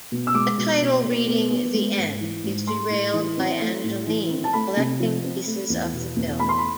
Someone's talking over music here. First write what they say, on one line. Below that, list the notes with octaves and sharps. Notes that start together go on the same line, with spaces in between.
A title reading "The End" is derailed by Angeline collecting pieces of the bill.
B2
E6
G#3 D6
B2
B2
B2
B3
B3
G#3
G#2
E3
G#2
A3 C6
A2
E3
C4
A3
A2
E3
C4
A5
A3 B5
C3
F3
C4
A3
E2
B2
E2
A3 B5
C6
B5